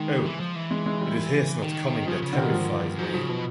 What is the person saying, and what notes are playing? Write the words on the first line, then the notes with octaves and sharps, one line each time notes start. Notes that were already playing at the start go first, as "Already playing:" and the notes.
Oh, it is his not coming that terrifies me.
Already playing: D#3 G#3
E3
F3
E3
G#3
G#3
G3
D#3
C#3 F3
C#3
D3
B2 D#3
G#2 F3
G2
G#2 F#3
C#3 F3
B2 F3